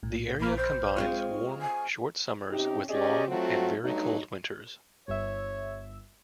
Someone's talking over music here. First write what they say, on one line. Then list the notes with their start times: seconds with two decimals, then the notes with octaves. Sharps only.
The area combines warm, short summers with long and very cold winters.
0.03 B1 A2
0.40 A#1 A#3 B5 F6
0.57 C5
0.97 G#3 C4 F4 C#6 F6
1.61 G#5
2.50 C3 C#4 D#4 G4
2.89 C#4 G4 G#4 D5 D#5
3.28 F#3 A3 C4 F4 F#4
3.84 G2 F#3 A3 D#4
5.08 G1 C#5 E5